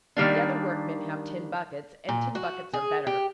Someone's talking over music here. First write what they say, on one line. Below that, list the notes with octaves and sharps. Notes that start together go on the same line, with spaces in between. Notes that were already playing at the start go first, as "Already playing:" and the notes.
The other workmen have tin buckets, and tin buckets are better.
D#3 G3 A#3 D4
A#2
F#4
G#4
G4